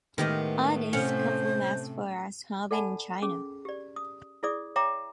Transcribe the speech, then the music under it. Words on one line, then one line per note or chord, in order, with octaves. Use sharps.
Artists come from as far as Harbin in China.
A2 D#3 G#3 B3 G4 D#5
C3 C#4 A4 C5 F#5
A4 D5 F#5 G#5 A5 B5
C#4 G#4
G4 D5
D#6
E4 G#4 D5 D#6
C#5 E5 G5 A#5 D6